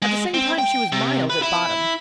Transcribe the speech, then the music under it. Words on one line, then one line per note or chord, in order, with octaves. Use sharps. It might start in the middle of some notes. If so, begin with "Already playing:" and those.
At the same time she was mild at bottom.
G#3
C4
G5
C3
B4
E4